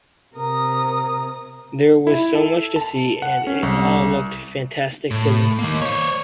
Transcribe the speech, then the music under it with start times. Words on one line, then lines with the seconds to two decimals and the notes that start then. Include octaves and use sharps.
There was so much to see, and it all looked fantastic to me.
0.34 C3 A#4 D#6
2.07 E4
2.35 A4
2.76 A5
3.22 F#5
3.47 C#4
3.63 C2
5.11 A2
5.59 D#3 A#3
5.82 C5 C#5